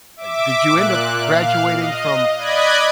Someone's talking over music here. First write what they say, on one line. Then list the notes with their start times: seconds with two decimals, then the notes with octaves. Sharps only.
uh, did you end up graduating from
0.16 E5 D6
0.71 A#2 F#6
1.19 F5
1.77 D#5
2.38 D5 D#5 B5 F#6 G#6